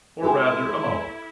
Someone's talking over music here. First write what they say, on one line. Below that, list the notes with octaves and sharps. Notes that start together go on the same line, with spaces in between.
Or, rather, a monologue.
G#3 E4 F#4 G4 A4 E5 G#5